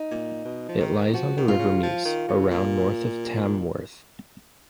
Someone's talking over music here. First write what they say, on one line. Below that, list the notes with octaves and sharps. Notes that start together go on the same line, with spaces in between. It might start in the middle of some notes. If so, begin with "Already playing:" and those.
It lies on the River Mease, around north of Tamworth.
Already playing: D#4
A#2
B2
F3
D#3
F3 F#4
D#3
F4
C#3
F3
D#3
C#3
A#2